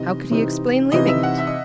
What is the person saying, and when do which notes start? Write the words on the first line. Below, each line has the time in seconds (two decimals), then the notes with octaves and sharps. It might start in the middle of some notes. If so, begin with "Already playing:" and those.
How could he explain leaving it?
Already playing: C3 E3 C4 D#4 D#5
0.31 C3 E3 C4 D#4
0.92 C3 E3 C4 D#4 D#5
1.07 E5
1.23 F#5
1.38 E5
1.47 D#5